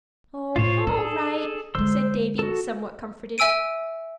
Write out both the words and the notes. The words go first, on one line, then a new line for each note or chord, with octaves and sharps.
"Oh, all right," said Davy, somewhat comforted.
A2 F4 C5 C#5
D4 G#4 A4
D3 G#3 C5 C6 E6
F#4 A4
E5 G#5 E6 D7 D#7